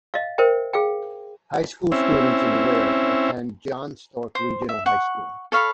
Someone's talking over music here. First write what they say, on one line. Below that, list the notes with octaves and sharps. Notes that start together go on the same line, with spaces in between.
High school students in Weare attend John Stark Regional High School.
D#5 F5
A#4 C5 E5 G5
G#4 F5 G5
C4 C#4 E4
C5
E5
F#5 C#6
A4 C#5 F5 B5